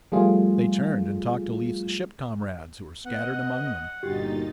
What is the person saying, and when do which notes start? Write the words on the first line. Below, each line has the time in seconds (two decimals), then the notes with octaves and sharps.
They turned and talked to Leif's ship-comrades who were scattered among them.
0.12 F3 G3 A3 B3 F4 G#4
3.05 B3 D#5 F#5
4.03 G1 A#2 D#4 F#4 G4 A6